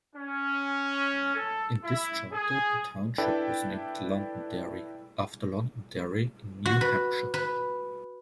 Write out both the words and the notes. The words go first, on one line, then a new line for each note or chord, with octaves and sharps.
In this charter the township was named Londonderry after Londonderry in New Hampshire.
C#4
A4
E4
G#4
D4 E4 A4 B4 D5 G5
F#4
B4
B4